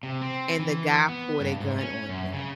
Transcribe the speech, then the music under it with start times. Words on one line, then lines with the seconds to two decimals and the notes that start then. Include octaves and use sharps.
and the guy pulled a gun on him,
0.03 C3
0.21 C4
0.59 E3
1.09 B3
1.40 G2
1.60 G#2
1.78 C#4
2.08 F#2
2.33 C#3